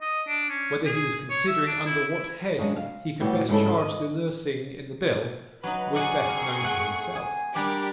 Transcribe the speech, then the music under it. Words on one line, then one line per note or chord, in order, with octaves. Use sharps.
Whether he was considering under what head he could best charge the nursing in the bill, was best known to himself.
D#5
D4
C#4
G#4
C#5
E5
D4
E4
E4
C#3 F#3 G#3 D4
F5
A2 E3 G3 F#4 G4
G#2 C#3 C#4 D#4 E4 A4
D#5
F#3 D#4 B4
G#4 D5 F#5 C#6
C4 A#4
A3 F#5
G#4
G3 D4 G4 A#4 D5